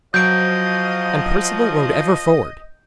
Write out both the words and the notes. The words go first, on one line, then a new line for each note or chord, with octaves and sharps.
And Perceval rode ever forward.
F3 F#3 D#5 G6 D7